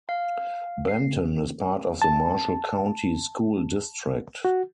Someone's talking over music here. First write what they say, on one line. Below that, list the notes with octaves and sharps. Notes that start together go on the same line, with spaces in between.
Benton is part of the Marshall County School District.
F5
C7
A5
F#4